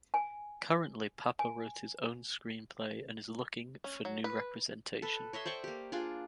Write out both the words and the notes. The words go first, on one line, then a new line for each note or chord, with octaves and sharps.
Currently Papa wrote his own screenplay and is looking for new representation.
G#5
G#5
C#4
F#3
B4
A4 B4
C#5 D#5 E5 C6
C5 D5 G5 C#6
A#3 G4
D4 F4 G#4 D5